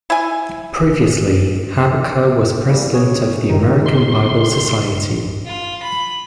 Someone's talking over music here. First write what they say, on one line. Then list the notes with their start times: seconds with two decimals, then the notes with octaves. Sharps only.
Previously, Habecker was president of the American Bible Society.
0.10 E4 G#5
2.69 E3 G3 A#3
2.93 F#4 G#4 C#5
3.50 C#2 D#3 D#4
3.86 C6
5.46 F4
5.82 B5